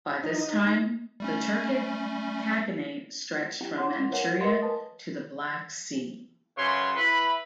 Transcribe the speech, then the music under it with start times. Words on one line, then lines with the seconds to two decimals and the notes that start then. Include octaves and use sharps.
By this time the Turkic Khaganate stretched from Manchuria to the Black Sea.
0.24 D#4
1.20 G3 A3 C#4
3.61 C#4 D4 E4 G4 G5
3.78 E4 G#4 C#5 F#5 C6
4.11 A#4 B4 C#5 F5 F#5 G#5
4.41 A#4 B4 D#5 F5 C6
4.62 A#4 B4 G#5 A5 D#6
6.58 F#2 C#3 B4 C#5 C6
6.97 E4 B4 B5